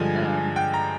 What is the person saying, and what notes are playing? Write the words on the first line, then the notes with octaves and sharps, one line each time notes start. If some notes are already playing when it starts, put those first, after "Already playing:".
t um,
Already playing: G2 D3 F3 G#3 G#5
G5
A#5